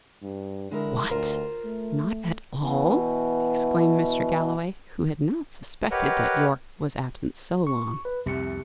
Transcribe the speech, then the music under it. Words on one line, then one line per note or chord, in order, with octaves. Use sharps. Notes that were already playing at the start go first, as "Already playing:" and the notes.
"What! not at all?" exclaimed Mr. Galloway, who had not suspected that Yorke was absent so long.
G2
D3 G#3 E4 A#4
D2 F4 A#4 C5
A3
B2 E3
G4 A#4 B4 C#5 D#5 F#5
C#6
B4
C2 F2 C3 C#7